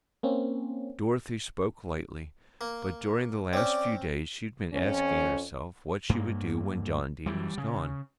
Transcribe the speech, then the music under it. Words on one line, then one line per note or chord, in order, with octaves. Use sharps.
Dorothy spoke lightly; but during the last few days she had been asking herself what she would do when John Dene was gone.
A#3 C4 C#4
A#3
C4 C#4 D5
F2 C#4
G2 A#3
E3 G3
C#3